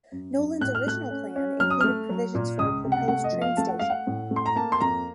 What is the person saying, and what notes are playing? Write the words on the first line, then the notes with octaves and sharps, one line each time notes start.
Nolen's original plan included provisions for a proposed train station.
F#2
F#2
A2 F#6
F6
A3 F#6
C#4
C#4
F#3 F6
D#6
A3 F6
F#3
A#2
C#2 D#6
C3
F#5
A3 F#5
D#5
F3
F5
A3 A5
F#5
A3 F5
F#5
A2
A3
C6
A#5
A#3 A5
C6
F2 A#5